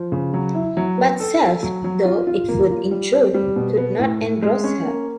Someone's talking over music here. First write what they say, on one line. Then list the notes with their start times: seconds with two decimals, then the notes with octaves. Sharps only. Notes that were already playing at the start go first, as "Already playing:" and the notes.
But self, though it would intrude, could not engross her.
Already playing: F3
0.12 C#3
0.34 F#3
0.55 E4
0.77 F#3
0.98 B3
1.20 A4
1.41 A4
1.63 F#3
1.84 F#3
2.05 F4
2.27 F4
2.49 A#3
2.71 F4
2.91 G3
3.13 C4
3.34 G3
3.56 B2
3.78 B3
3.99 A2
4.21 A2
4.42 G#3
4.64 C#4
4.85 A#3